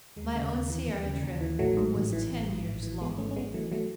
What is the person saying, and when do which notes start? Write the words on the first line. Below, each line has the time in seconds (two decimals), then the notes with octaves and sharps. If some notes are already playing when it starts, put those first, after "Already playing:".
My own Sierra trip was ten years long.
0.17 D#2 G#3
0.35 C#3
0.52 D#2
0.70 E3
0.88 D#2
1.06 C#3
1.23 D#2
1.41 E3
1.59 A1 F#3 A3
1.77 G#2
1.95 A1
2.13 E3
2.30 A1
2.48 G#2
2.66 A1
2.83 E3
3.01 G#1 G#3 B3
3.18 G#2 A3 C#4
3.31 C#4
3.36 G#1 G#3 B3
3.54 E3 F#3 A3
3.72 F#3 A3